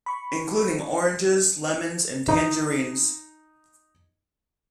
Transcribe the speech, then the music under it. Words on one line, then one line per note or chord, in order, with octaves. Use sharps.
Including oranges, lemons, and tangerines.
B5 C#6
D#4 D#5